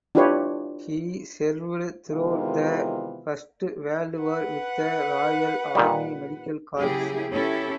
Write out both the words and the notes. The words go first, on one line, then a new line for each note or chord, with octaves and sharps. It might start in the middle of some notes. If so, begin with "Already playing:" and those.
He served throughout the First World War with the Royal Army Medical Corps.
D4 E4 F4 G4 B4 C#5
C3 D#3 E3 G#3 B3 F4
B4 F#5
A#2 D#3 G3
C#3 F#3 A#3 E4 G4 G#4
B3 C#4 E4 G4 A4 C#5